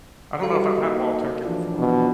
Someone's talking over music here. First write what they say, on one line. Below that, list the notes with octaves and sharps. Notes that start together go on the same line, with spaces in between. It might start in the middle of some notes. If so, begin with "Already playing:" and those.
I don't know if I've had wild turkey before.
G3 F#4 A4 F5
A#3 D#4
E3 F3 D4
B2